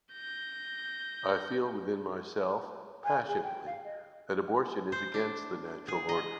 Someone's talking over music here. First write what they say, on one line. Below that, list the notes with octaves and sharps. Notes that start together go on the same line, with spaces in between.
I feel within myself, passionately, that abortion is against the natural order.
G6 A#6
G#5
G#4
G5
F5
D#5
C5
D4
G#4
D#5